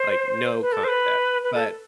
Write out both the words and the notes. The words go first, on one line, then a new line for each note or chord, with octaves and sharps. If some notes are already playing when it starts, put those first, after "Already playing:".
Like, no contest. But
Already playing: C5
B4
A4
C5
B4
B4
A4